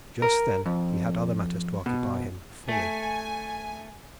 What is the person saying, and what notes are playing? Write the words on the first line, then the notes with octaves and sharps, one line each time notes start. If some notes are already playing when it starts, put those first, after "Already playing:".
Just then he had other matters to occupy him--fully.
A#4
F2
B2
A3 G#5